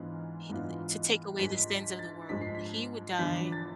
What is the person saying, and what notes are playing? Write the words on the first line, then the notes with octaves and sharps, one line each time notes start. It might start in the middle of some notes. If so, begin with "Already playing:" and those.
he d to take away the sins of the world, he would die
Already playing: G#2 E3 B3 D4 F4
G#2 E3 B3 D4 F4
G#2 F3 G#3 B6
B6
A6
G#2 F3 G#3 B6
C7
B6
E2 D3 F3 B3 B6
A6